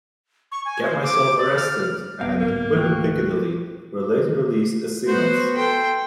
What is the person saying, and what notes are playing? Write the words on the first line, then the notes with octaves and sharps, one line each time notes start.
"Get Myself Arrested" and "Whippin' Piccadilly" were later released as singles.
C#6
G#5
C5
D6
D5
F6
B1 G2 C#3 B3 F5
G#1 C#2 A#3
A3 F4 G5 C#6 F#6
B3 F#4 C5
A4 G5 C6